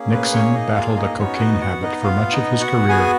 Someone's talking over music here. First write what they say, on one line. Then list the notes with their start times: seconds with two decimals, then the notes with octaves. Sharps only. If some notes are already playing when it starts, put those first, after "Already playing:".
Nixon battled a cocaine habit for much of his career.
Already playing: A#3 C#4 G#4
0.12 B4
0.32 C#4 C#5
0.54 D#4 D#5
0.76 F4 F5
0.96 D#4 D#5
1.18 B3 C#4 D#4 F#4 C#5
1.39 D#4 D#5
1.61 F#4 F#5
1.82 D#4 D#5
2.03 F4 F5
2.32 D#4 D#5
2.60 F#4 F#5
2.88 B3 F#4 G#4 G#5